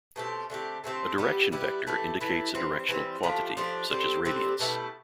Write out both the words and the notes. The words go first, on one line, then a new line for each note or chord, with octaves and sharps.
A direction vector indicates a directional quantity, such as Radiance.
B2 A3 C4 G4
D3 A3 C4 G4
D3 A3 C4 G4
G3 B3 E4 G4
G3 B3 E4 G4
E3 A3 E4 G4
E3 A3 E4 G4
E3 G3 C4
E3 G3 C4
F3 A3 D4 G4
F3 A3 D4 G4
D3 G3 C4 G4
D3 G3 C4 G4
B2 A3 E4 G4